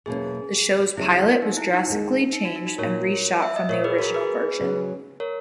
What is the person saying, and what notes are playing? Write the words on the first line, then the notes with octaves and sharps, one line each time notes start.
The show's pilot was drastically changed and reshot from the original version.
E2 B2 F#3 A#3 C#4 G#4
E2 C#3 F#3 E4
D#4
E4
D#4
D#2 D#3 G#3
D#4
F#4
D#4
F#4
A#2 A#3 D#4 F#4 A#4 C#5
E5
D#5
A#2 A#3 E4 A#4 C#5
G#4 B4
F#4 A#4
G#4 B4
C#3 F#3 B3 D#4
A#4 C#5